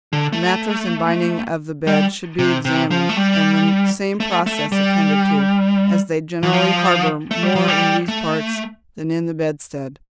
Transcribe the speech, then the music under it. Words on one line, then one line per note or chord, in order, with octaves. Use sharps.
The mattress and binding of the bed should be examined, and the same process attended to, as they generally harbor more in these parts than in the bedstead.
D3
A3
G3
C3
C3
F3
A3
G3
A3
A3
G3
E3
F3
A3
G3
F3
G3
A3